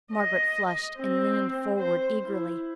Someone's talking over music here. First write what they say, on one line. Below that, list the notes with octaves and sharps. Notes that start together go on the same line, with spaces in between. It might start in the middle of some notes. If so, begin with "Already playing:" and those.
Margaret flushed and leaned forward eagerly.
D#5
C4
C5
E4